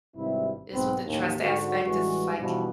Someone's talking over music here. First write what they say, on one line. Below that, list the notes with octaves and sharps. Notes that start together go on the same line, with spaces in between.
it's with the trust aspect, it's like
G#1 G2 C3 E4
B1 G#2 B3 C4 B4
A1 D#2
G#2 D3 F#4
A1 G2 E3 G#3 F#4
G2 B2 E3 F3